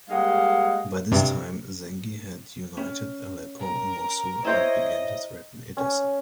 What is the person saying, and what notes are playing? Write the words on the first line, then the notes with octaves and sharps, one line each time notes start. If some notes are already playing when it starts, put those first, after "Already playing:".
By this time, Zengi had united Aleppo and Mosul and began to threaten Edessa.
G3 G#3 A#3 D#5 F5 F#5
G2 C3
C#4
A#4
E4 C5 C#5 D#5
C#4